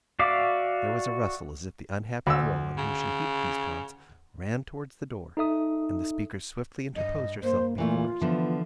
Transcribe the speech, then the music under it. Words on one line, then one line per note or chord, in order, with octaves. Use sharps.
There was a rustle, as if the unhappy girl, on whom she heaped these taunts, ran towards the door, and the speaker swiftly interposed herself before it.
F#4 D5 E5 F5 D6
D2 E6
C#3
D#4 A4 E5 D#6
G2 D#5
A#3 C5
A#2 E3 A3 F4
D3 E3 F3 B3